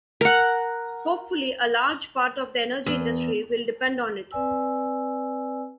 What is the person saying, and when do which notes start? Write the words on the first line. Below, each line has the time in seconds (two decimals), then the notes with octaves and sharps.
Hopefully, a large part of the energy industry will depend on it.
0.21 A#4 F#5
2.86 E2
4.31 C4 B4 D5 G#5 E6